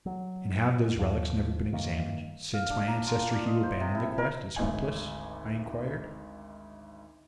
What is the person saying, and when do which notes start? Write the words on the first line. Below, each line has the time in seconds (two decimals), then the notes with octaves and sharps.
"And have those relics never been examined since my ancestor Hugh abandoned the quest as hopeless?" I inquired.
0.06 F#3
0.98 D#2 F3
1.73 G2 D#3 A#3
2.53 F5
2.70 D4
2.88 A#5
3.07 F4
3.30 D5
3.46 D#5
3.63 C5
3.80 C3
3.95 E4
4.18 A#4
4.56 G#1 D2 D#4 G#5